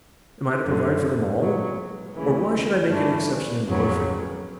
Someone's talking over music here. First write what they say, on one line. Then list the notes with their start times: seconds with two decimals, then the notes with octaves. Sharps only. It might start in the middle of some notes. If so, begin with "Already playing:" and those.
Am I to provide for them all? Or why should I make an exception in your favour?
0.65 F#2 D3 F3
1.40 A#2 F#3 B3
2.15 D2 C#3 E3
2.90 G2 E3 A3 D4
3.66 F2 C#3 F#3 B3